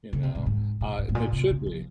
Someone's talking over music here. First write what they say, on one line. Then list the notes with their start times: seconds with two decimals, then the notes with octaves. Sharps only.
You know, uh, that should be.
0.13 C#3
0.23 C3
0.35 G#2
0.46 G#2
0.81 A#2
0.99 G#2
1.09 G#2
1.15 A#2
1.32 C3
1.50 C#3
1.66 F3